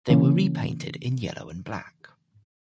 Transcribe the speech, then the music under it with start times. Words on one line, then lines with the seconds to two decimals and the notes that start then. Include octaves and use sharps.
They were repainted in yellow and black.
0.10 C#3 E3 A#3 C#4